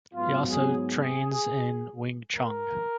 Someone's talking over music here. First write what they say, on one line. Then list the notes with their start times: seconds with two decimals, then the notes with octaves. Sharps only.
He also trains in wing chun.
0.14 G#2 F#3 B3 F4
0.50 G#4
0.87 G#4
2.35 A#4